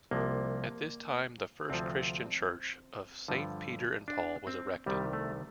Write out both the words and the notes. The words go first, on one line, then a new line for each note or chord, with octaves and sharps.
At this time the first Christian church of Saint Peter and Paul was erected.
C2 C3 F3 A#3
D2 C3 F3 C4
G2 D3 F3
D4
C4
C2 C3 D#3 G3
A3